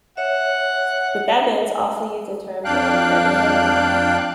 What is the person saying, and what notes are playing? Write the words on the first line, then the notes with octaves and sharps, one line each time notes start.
The Thebans also used the term during the Theban hegemony.
C#5 E5 F#5
F2 D4 F5 G5 F#6